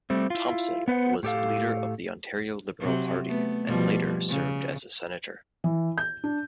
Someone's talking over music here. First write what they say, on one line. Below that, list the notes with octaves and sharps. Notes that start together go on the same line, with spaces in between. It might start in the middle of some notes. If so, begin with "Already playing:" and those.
Thompson was leader of the Ontario Liberal Party and later served as a Senator.
G3 A3 C4
E4 F4
B3 B4 C5 F#5
A2 G4 A4 F5
C3 F#3
A3 B3
B2 F3 G3
C#3
E3
G6
D4